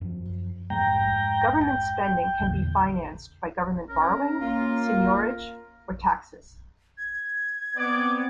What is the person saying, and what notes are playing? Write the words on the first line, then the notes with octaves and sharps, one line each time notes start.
Government spending can be financed by government borrowing, seigniorage, or taxes.
F#2 F3
F2 G#2 G#3 G5 A#5
G5
E2 A#2 D3
C#4 A#4
A#3 F4
G#6
B3 C4 D5 D6